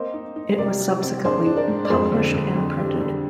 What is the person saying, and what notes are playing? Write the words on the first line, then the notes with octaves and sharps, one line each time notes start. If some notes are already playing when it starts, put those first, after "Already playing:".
It was subsequently published and printed.
Already playing: A#3 C4 C5 D#5
D#4
D#4
C3 A#4 D5
G3
C4
D4 G#4 C5
D4
A#4 D5
G#2
D5
F2 G#4 C5
D3
D3
F2
G3
D3